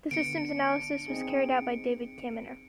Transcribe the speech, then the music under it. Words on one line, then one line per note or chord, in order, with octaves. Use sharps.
The systems analysis was carried out by David Caminer.
D3 B3 C#7 D7
D4
C4 D#4 G#4